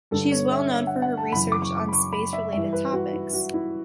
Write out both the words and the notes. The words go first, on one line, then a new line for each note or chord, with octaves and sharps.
She is well known for her research on space related topics.
G2 D3 A4
C#5
E5
E5
F#5
F#5
A5
F#2 C#3 E3 B5
D6
C#6
D6
B5
C#6
B5
E5
G2 E3 E5
B4
F#4
E4
F#4
E4